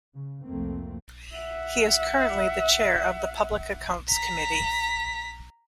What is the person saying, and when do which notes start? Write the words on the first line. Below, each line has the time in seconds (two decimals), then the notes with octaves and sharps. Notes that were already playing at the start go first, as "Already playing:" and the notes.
He is currently the Chair of the Public Accounts Committee.
0.15 C#3
0.43 C2 F2 A3 A#3 C4
1.34 E5 F#5
4.10 A#5 B6